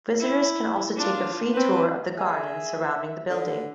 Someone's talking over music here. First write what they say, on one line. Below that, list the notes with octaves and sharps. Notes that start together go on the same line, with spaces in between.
Visitors can also take a free tour of the gardens surrounding the building.
E4
D4 F4
C4 B4
G#4 E5
D3